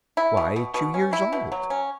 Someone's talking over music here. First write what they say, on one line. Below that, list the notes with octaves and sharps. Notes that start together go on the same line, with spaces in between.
"Why, two years old."
E4
B2
B2
B2
C#4
E4
B2
F#3
C#4